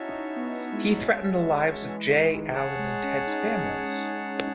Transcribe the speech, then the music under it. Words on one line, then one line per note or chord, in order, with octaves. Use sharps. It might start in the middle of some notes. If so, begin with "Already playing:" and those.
He threatened the lives of Jay, Alan, and Ted's families.
Already playing: C#4 D#4 E4 F#4 C#5 E5 A5
D#4
B3
G#3
E3
D#3
D#3
E3
G#4 C#5 F#5 A5
G#3
C#4
D#4